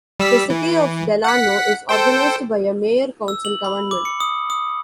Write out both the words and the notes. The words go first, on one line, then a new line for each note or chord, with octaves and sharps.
The city of Delano is organized by a Mayor-Council government.
G3 E6 B6
E3
F#5 B6
A4 C5 G5
E6
F#7
B5
D6
C#7
D#6
D#6